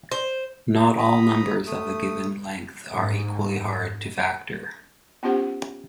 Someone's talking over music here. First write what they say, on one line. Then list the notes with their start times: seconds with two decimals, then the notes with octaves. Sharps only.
Not all numbers of a given length are equally hard to factor.
0.12 C5
0.97 A#5 B5 D#6
1.66 A3 D#6
2.94 G#2
5.23 B3 C#4 F4 G4 C5 F#5